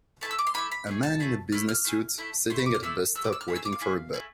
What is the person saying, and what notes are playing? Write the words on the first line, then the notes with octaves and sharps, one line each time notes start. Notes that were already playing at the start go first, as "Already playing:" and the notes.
A man in a business suit sitting at a bus stop waiting for a bus.
A3 E4 A4 A5
E6
D6
C6
A3 E4 A4 B5
B5
A3 E4 G#4
A5
A3 E4 G#4
A3 E4 F6
F6
A3 E4 G#4
A3 E4 A4
A3 E4 A4 C6
B5
D6
F6
A3 E4 A4 E6
A3 E4 A4 E6
D6
E6
F6
A3 E4 G#4
E6
D6
F5
A3 E4 G#4
A3 E4 G#4